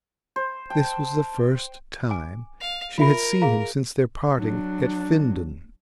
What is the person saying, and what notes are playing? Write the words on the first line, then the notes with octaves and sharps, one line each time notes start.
This was the first time she had seen him since their parting at Finden.
C5
G5 A5
G#5 D6
F5
F4 A#4 E5 B5
G#4 F5 A#5
F#3 D4